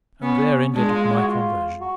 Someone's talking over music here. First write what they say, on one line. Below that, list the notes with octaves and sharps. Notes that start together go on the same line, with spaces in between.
And there ended my conversion.
B3 C#4
G#3 D4
F4
F4
F#4
F4
F#4